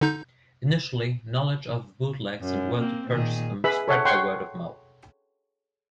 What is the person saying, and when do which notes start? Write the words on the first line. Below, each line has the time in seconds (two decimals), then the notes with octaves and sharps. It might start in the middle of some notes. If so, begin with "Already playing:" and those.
Initially, knowledge of bootlegs and where to purchase them spread by word of mouth.
0.01 D3 D#4 G6
2.42 F#2
2.78 A#3 C4
3.08 A#2 D#3 G#4
3.64 G#4 B4 E5 B5
3.88 A4 C#5 E5 F#5
4.05 C#5 F#5 G5 C6 C#6